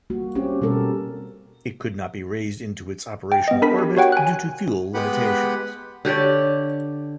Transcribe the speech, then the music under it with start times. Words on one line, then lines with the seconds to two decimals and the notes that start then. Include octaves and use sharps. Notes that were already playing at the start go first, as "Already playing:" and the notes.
It could not be raised into its operational orbit due to fuel limitations.
0.10 G3 A#3 F#4
0.35 C4 C#4 G4
0.62 B2 G3 A4 A#4
3.32 G5
3.48 B3 D#5
3.62 D4 A#4 B5 B6
3.79 G4
3.97 F#4 C#5 F#5 G5
4.12 G#5 F#6
4.94 G#3 B3 G4 B4 F#5 B5
6.05 D3 G4 C#5 D5